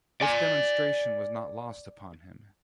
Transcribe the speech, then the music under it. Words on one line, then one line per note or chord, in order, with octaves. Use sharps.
This demonstration was not lost upon him.
D5 G#5